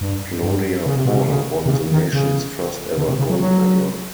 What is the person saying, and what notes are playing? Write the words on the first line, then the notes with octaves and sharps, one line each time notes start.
Claudia Poll won the nation's first ever gold medal.
G2
G2
C#3
C3
B2
C3
C#3
C3
C#3
D#3
C#3
D3
C3
C#3
F#3
F#3